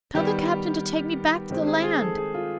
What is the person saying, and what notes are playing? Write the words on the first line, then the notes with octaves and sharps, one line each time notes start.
Tell the captain to take me back to the land.
D#3 G3 B3 G4
D#3 G#3 C4 G4
G#4
G#4
A4
G#4
F4